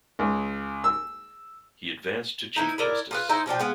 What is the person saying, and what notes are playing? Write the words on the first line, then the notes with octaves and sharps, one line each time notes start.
He advanced to Chief Justice.
C#2
E6
D#4 E4 B4
E4 A#4 D5
F4 G#4 B4
D#4 E4 C5 D#5
B2 F3 D4 G5
G#3 B3 F5